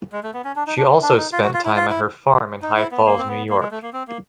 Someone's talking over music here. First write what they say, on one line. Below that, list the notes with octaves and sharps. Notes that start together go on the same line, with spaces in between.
She also spent time at her farm in High Falls, New York.
G#3
A3
B3
C#4
D4
D#4
D4
D4
D#4
F4
F#4
F4
E4
F4
E4
D#4
E4
B3
A#3
C4
B3
A#3
G#3
A3
A#3
C4
A#3